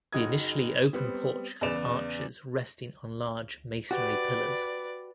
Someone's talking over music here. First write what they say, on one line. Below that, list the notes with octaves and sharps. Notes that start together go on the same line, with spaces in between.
The initially open porch has arches resting on large masonry pillars.
F#1 D#4 F#4 D#6 G#6
G3 B3 C4
E2 C#3 B4 D5 E7 F7
F#4 G4 B4 D5